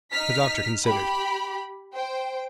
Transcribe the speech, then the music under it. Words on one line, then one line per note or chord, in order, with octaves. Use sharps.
The doctor considered.
D#4 F6 B6
G4 B5
C5 G5